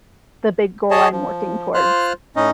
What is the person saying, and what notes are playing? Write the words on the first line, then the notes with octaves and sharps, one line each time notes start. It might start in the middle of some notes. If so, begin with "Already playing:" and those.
the big goal I'm working towards.
G#4 C#5 D#5 A5
F3
F4 C5 F6 F#6
A2 C#4 D#4 D#5